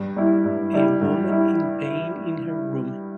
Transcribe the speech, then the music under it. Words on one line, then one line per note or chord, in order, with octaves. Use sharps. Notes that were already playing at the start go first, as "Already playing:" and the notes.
A woman in pain in her room.
Already playing: G2
G3 E4
G2
G3 E4
G2
G3 E4